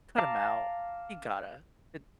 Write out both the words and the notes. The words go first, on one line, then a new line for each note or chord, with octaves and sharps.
cut 'em out. You gotta. It
F5 A5 A#5 D6